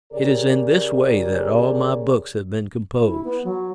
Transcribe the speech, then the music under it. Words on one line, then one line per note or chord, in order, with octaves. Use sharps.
It is in this way that all my books have been composed.
C#3 G4 G#4 A#4 C#5 D5
E4
B3
F#3